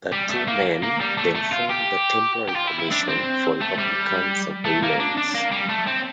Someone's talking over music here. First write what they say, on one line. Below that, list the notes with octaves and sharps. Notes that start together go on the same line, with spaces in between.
The two men then formed the Temporary Commission for Republican Surveillance.
G3
A3
A#3
A#3
G3
A3
A3
F4
G4
G4
F4
E4
E4
D4
C4
A3
G3
A3
A#3
D4
D4
A#3
G3
A3
C4